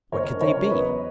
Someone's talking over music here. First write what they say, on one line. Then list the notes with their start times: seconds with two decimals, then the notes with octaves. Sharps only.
What could they be?
0.12 F#1 A#4 C#5
0.34 C#3
0.41 A#4 C#5
0.56 F#3
0.70 B4 D#5
0.77 E2